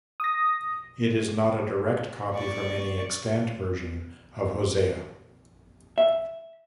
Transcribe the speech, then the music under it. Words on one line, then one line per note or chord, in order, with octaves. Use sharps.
It is not a direct copy from any extant version of Hosea.
D#6 A#6
D5 C#6
E5